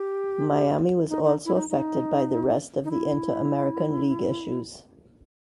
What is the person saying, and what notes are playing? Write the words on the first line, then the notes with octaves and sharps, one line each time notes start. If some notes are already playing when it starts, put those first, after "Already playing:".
Miami was also affected by the rest of the Inter–American League issues.
Already playing: G4
D#4
D#4
E4
D#4
D#4
D#4
E4